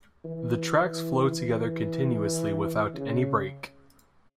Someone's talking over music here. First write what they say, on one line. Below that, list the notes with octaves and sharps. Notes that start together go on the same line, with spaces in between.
The tracks flow together continuously without any break.
E3
E3
E3
C#3